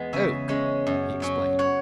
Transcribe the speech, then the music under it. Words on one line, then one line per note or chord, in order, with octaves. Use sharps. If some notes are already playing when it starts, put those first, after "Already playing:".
"Oak," he explained.
Already playing: E2 G#3 B3
C#3 E5 G#5
G#3 C#4
F#2
F#3 C#4
C#5 F#5